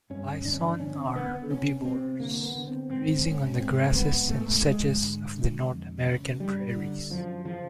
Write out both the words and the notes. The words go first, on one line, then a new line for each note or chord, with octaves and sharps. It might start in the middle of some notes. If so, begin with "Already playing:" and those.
Bison are herbivores, grazing on the grasses and sedges of the North American prairies.
G2 C#4
D3 D4
C#4
D4
D3 C#4
C4
D3 B3
C3 C#4
C3 C4
D3 A#3
B3
D3
C4
G#2 C4
G#2 C#4
G#2 C4
G#2 B3
G#2 A3
G#2 G#3
D3
D3
F2
C#3
G2 G3
D3
F#2 F3
C#3 F3